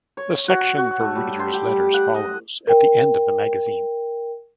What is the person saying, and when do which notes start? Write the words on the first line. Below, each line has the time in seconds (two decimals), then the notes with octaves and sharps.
The section for readers' letters follows, at the end of the magazine.
0.17 C#5
0.48 F#4
0.78 F#4
1.00 A3
1.15 G3
1.39 C6
1.53 G4
1.66 G3
1.94 F#5
2.14 D#5
2.67 A#4 G5